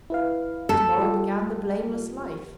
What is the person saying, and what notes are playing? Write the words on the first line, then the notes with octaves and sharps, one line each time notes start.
To-morrow began the blameless life.
E4 B4 F5
A4
G3 F4 G4